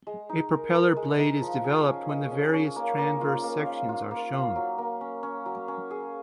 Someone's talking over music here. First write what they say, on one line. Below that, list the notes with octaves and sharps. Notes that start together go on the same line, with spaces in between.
A propeller blade is developed when the various transverse sections are shown.
G#3
D#4
A#4
A#4
G#3
D#4
F3
G#4
C#4
D#5
C#4
C#4
A#3
A#3
F4
A#3
F5
F4
A#3
F5
F#3
A#3
C#4
C#4
F#3
C#4
G#4